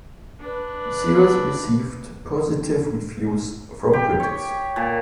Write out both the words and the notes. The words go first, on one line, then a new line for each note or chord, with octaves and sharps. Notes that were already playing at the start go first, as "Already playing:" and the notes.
The series receive positive reviews from critics.
D4 B4
G4
C#5
A#2